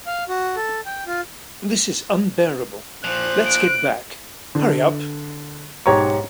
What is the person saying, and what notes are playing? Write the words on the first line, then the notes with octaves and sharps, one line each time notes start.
This is unbearable; let’s get back... hurry up.
F5
F#4
A4
G5
F4
A#2 F3 C5 F#6
D7
D3
B1 G#2 G4 C#5 A#5 C#6